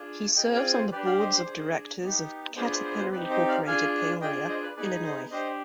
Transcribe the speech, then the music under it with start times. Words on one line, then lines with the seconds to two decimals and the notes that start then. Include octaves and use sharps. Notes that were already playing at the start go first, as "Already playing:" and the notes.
He serves on the boards of directors of Caterpillar Incorporated Peoria, Illinois.
Already playing: D4 F4 G#4
0.36 C4 F4 G#4 D#5 G5
0.54 D5 F5
0.73 C5
0.92 G4 B4 D5
0.96 D4
1.05 D5 F5
1.19 C5 D#5
1.33 C5
1.46 D4 G#4
2.02 B3 D#4 G4
2.56 B3 D4 F4 G#4 C5
2.70 C5
2.84 C5
2.98 C5
3.12 C4 D#4 G4 B4 D5
3.30 C5 D#5
3.48 D5 F5
3.66 D4 F4 G#4 F5 G#5
4.21 D4 F4 G#4 D#5 G5
4.49 C5 D#5
4.63 B4 D5
4.76 B3 D#4 G#4 B4 D5
5.03 C5 D#5
5.31 D4 G4 C5 D#5